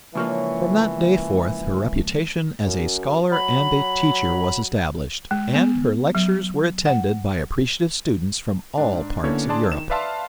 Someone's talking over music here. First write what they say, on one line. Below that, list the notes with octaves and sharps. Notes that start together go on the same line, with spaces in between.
From that day forth her reputation as a scholar and a teacher was established, and her lectures were attended by appreciative students from all parts of Europe.
C#2 E3 F3 A#3 D4 C#5
F#2
F#3 B5
G#3
B3
F#3
F#5
G#2 D4
D3 A#3 B3 C#4 E4 C#5
D4 G#4 D5 A5 C6
D#3 E7
B4 D5 E5 F5 A5 C6